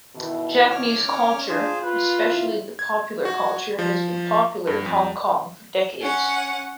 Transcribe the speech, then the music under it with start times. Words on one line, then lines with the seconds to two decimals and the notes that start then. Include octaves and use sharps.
Japanese culture, especially the popular culture, has been popular in Hong Kong for decades.
0.15 B2 D#3 E3 A4
0.71 C#5 D6 F6
1.07 C#4 D5 F5
1.49 D4 F4 G#4 C5
1.83 F4 B4
2.21 E3 C4 D#4
2.79 G#6
3.25 F#4
3.79 F3
4.67 G2
4.86 F2
6.01 C#4 F#5